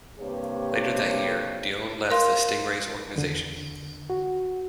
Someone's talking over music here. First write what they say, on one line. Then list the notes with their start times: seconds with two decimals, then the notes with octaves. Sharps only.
Later that year, Dionne left the Stingrays organization.
0.20 G2 C3 A#3 G4 C#5
2.10 A#4 F5 C6
3.16 E2 D3
4.10 F#4